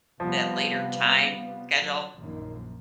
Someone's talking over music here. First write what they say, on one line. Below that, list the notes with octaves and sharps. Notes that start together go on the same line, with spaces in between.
that later time schedule.
C3 F3 G3 B3 F5
F#3
A#1 F#2 D#3 A#3